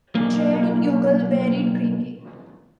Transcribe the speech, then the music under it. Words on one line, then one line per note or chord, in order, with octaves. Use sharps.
Trade in Youghal varied greatly.
B1 A#3